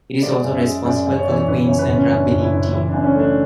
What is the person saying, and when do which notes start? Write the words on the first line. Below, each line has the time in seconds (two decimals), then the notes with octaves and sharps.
It is also responsible for the Queensland Rugby League team.
0.22 G#3 D5
0.44 F#2
0.54 E5
0.64 G#3
0.85 F#2 D5
1.07 F#2
1.17 C#5
1.24 D5
1.27 E3
1.33 C#5
1.47 F#1 B4
1.64 C#5
1.69 F#2
1.79 B4
1.89 F#1
1.95 C#4
2.10 F#2 D4
2.31 F#1
2.42 E4
2.53 F#1
2.72 E3 E4
2.89 D4
2.94 F#2
3.00 D4
3.04 C#4
3.14 A3 D4